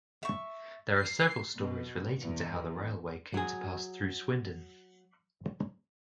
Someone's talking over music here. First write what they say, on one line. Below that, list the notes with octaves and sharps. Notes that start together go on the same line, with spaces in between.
There are several stories relating to how the railway came to pass through Swindon.
E5 C#6
C7
B2
E2
F#3 G#4